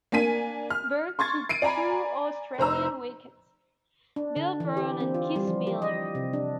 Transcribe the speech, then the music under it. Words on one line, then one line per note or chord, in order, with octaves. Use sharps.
Burke took two Australian wickets - Bill Brown and Keith Miller.
A#3 D4 G#5 B6 D#7
F6
C6 C#6 G#6 A6
C7 D7 D#7
D5 G#5 A#5 B5
F1 C5 A#5 E6
D4
D3
E3
G4
C4
F4
G3
F3
G4
D#5
C3
D4